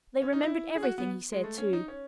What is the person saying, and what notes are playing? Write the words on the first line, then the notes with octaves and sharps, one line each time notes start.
They remembered everything he said, too.
C#4
D#4
E4
G#4
F#4
B3
G#3
A3
C#4
D#4
C#4